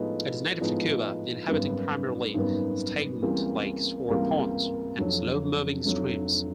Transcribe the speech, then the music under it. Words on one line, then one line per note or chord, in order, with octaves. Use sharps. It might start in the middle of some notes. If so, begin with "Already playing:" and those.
It is native to Cuba, inhabiting primarily stagnant lakes or ponds and slow-moving streams.
Already playing: A2 F3 G#3 B3 D#4
A2 F3 G#3 B3 D#4
G#1 F#2 D#3 G3 B3
G#1 F#2 D#3 G3 B3
C#2 C3 E3 G3 A#3
C#2 C3 E3 G3 A#3
F1 F2 D3 F#3
F1 F2 D3 F#3